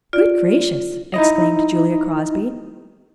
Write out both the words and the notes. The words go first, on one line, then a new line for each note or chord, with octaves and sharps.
"Good gracious," exclaimed Julia Crosby.
F4 D5
D#4 E4 D#5